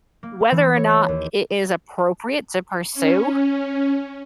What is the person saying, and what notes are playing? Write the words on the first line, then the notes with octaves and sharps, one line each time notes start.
whether or not it is appropriate to pursue,
A#3
E3
C#5
B6
D#2
C#4